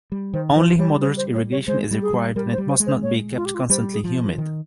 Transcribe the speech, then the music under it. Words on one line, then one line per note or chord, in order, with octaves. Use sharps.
Only moderate irrigation is required and it must not be kept constantly humid.
G3
D#3 C5
F3 C5
G3 C#5
C5
C5
C#5
C#5
G#3 C5
G3
G#4
G3
G3 A#4
C5
G3
C5
G#3
C5
C#5
F4
G4
F4
G3 C5
G#4
F3
D#3